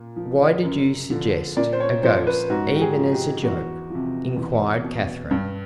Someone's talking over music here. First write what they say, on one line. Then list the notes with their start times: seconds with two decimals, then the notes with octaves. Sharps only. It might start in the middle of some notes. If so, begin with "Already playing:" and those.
"Why did you suggest a ghost even as a joke?" inquired Katherine.
Already playing: A#2
0.16 F3
0.63 F#2
1.10 D3 F3
1.57 A#2 D5
1.73 C5
1.80 C#5
2.03 F3 C5
2.27 B4
2.50 G#2 F#4
2.75 G4
2.82 G#4
2.97 F3
3.12 G4
3.43 E2 F#4
3.90 C3 F3
4.37 E2
4.84 B2
5.31 G2